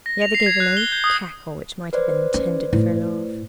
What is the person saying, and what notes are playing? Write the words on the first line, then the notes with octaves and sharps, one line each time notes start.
The other gave a low cackle, which might have been intended for a laugh.
A#6
F7
C7
G#6
F#6
G7
G6
D#6
B4 C5 D5
C#4
A2